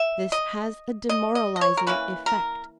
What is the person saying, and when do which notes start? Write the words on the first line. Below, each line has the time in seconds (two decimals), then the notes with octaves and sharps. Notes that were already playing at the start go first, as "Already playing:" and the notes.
This has a demoralizing effect.
Already playing: E5
0.32 D#5
1.09 D#5
1.35 D#5
1.56 D#5
1.61 C#5
1.77 A#4
1.87 E3 A#3 C#4 B4
2.26 A#4